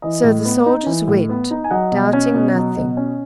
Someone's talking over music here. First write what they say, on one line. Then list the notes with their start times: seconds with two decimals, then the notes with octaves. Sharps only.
So the soldiers went, doubting nothing.
0.02 E3 D#5
0.24 A2
0.45 B3
0.66 D#4
0.86 E3
1.08 A2
1.29 B3
1.51 D#4
1.64 G#5
1.71 F#3 D#5 F#5
1.92 B2
2.13 C#4
2.34 B2
2.55 F#3
2.77 B2
2.97 C#4